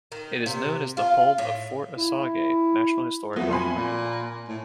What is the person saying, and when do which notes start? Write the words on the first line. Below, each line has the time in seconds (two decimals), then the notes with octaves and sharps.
It is known as the home of Fort Osage National Historic Landmark.
0.12 D#3
0.46 C3
0.97 F4
1.38 A2
1.98 E4
3.36 F2 F#3 A3 B3
3.51 G#5 B5 C6
3.76 A#2
4.48 A2